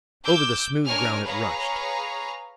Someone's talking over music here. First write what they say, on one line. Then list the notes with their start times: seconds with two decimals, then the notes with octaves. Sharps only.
Over the smooth ground it rushed.
0.23 D6 E6 G6
0.85 D4 A#4 C#5 G#5 F6
1.24 G#4 B4 C#5 F5 A#5